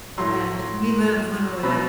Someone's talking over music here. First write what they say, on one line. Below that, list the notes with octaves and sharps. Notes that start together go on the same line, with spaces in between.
and we live literally, like,
A2 F#3 C6
B2 F#3 B5